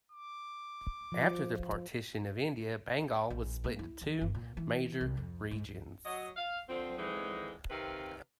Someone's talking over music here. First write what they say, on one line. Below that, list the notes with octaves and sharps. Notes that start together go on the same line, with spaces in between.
After the partition of India, Bengal was split into two major regions.
D6
F3
A#1
A#3
E4
E2
G1
A#2
E3
C2
F2
G#2
F#3 D#5
F5
D3 F3 C4
D3 E3 G#3 C4 D#4
C3 D#3 C4 B4 F5